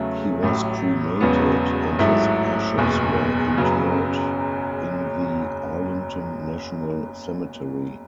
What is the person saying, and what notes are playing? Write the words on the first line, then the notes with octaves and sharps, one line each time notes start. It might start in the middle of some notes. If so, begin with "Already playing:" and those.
He was cremated and his ashes were interred in the Arlington National Cemetery.
Already playing: E2 C#3 F#3 A3
A1 A2 F#3
E1 E2 C#3 F#3 B3
A1 G#2 F#3 A3 E4
F#1 E2 B2
F#1 F#2 C#3 F#3 B3